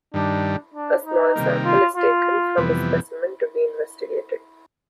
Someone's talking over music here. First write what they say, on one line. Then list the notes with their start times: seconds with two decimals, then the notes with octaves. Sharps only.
A small sample is taken from the specimen to be investigated.
0.14 G2 D#3 G3 D4
0.74 D4
1.06 D#4
1.36 C3 D#3 G3 A#3
1.65 F4
1.96 F4
2.57 F2 C3 E3 G3 B3